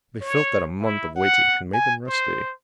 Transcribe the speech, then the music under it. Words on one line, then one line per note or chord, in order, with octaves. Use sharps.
They felt that a month of waiting had made them rusty.
C#5
E4
F#5
G#5
C5